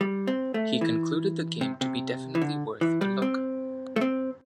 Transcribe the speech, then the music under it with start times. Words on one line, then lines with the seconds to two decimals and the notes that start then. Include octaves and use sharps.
He concluded the game to be definitely worth a look.
0.01 G3
0.27 C4
0.54 A3
0.81 E3
1.61 C3
1.81 C3
2.35 E3
2.42 D3
2.81 E3
3.01 G3
3.22 C4
3.96 A3
4.01 C4